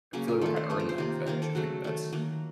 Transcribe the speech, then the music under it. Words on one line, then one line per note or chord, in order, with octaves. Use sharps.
I feel like I earned that veg. I think that's
C#3 F#3 A#3 C#4
F4
D#3 A3 A4
C5
C#3 A3 C5
A#4
C5
C3 D#3 A#3
D#3 A#3 A#4
A4
C#3 F#3 A3 F#4
D#3 A3
D#3 F#3 A#3